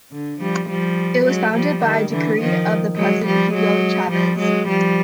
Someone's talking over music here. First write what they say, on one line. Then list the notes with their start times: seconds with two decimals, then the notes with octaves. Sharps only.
It was founded by Decree of the president Hugo Chavez.
0.12 D3
0.40 F3 G3
0.70 F3 G3
1.26 F#3 G#3
1.54 F3 G3
1.84 D#3
2.11 D3 E3
2.40 D#3 F3
2.97 F#3 G#3
3.26 F3 G3
3.54 F#3 G#3
4.11 F3 G3
4.39 F#3 G#3
4.68 F3 G3